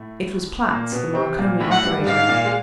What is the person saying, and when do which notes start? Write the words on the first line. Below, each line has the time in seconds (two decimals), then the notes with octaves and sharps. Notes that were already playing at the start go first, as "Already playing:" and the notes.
It was Platts, the Marconi operator.
Already playing: A2 A3
0.70 A#2 A#3
0.92 B2 B3
1.15 C3 C4
1.39 A#2 A#3
1.60 A2 A3
1.72 F#5
1.83 G2 G3
2.00 G3
2.06 G#2 G#3 F5
2.29 A#2 A#3
2.45 G#3